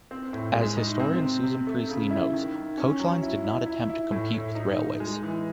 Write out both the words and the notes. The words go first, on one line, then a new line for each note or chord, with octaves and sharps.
As Historian Susan Priestley notes, Coach lines did not attempt to compete with... railways.
C4
A2
G#3
D#4
C4
C3
C3
A3
C#3
E4
D#3
D#3
C#4
F#3
E4
E4
E4
E4
A2
A2
D#4
D#4
G#3
E3